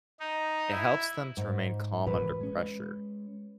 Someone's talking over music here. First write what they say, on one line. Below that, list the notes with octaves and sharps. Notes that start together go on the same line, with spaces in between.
it helps them to remain calm under pressure,
D#4
E4
G#2
A2 E3 B4
G#3 C#4